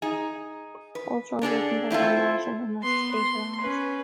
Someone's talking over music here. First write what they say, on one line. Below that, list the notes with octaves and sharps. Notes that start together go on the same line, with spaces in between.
All songs written by Van Morrison unless stated otherwise.
D#4 G#4
B4
D3 D4 G#4 A4
C4 E4 F4 A4
B3 C6
C6
C#4 B4